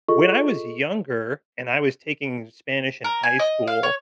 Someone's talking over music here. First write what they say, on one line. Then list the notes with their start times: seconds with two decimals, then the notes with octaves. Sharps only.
when I was younger and I was taking Spanish in high school,
0.08 F4 G#4 A4 D#5 C#6
3.04 A#4
3.23 G#5
3.39 D#5
3.67 F5
3.83 C#5